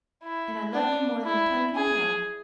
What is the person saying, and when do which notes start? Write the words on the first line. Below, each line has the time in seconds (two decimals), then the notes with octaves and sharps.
And I love you more than tongue can tell.
0.23 E4
0.74 D4
1.24 E4
1.75 G#4